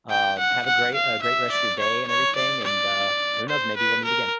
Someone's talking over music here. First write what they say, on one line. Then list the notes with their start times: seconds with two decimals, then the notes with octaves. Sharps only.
Um, have a great, uh, great rest of your day and everything, and, uh, who knows? Maybe we'll meet again.
0.10 G5
0.39 F#5
0.66 F#5
0.94 F5
1.22 E5
1.52 D5
1.79 C#5
2.08 C#5
2.36 D5
2.64 D5
3.49 C5
3.77 B4
4.05 A#4